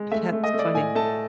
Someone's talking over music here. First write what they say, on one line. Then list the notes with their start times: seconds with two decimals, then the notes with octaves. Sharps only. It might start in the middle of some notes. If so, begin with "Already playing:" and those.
That's funny.
Already playing: G#3
0.12 A3 E5
0.33 A3
0.44 D#5
0.54 A3
0.59 D5
0.74 A2 G#5
0.95 A3 A5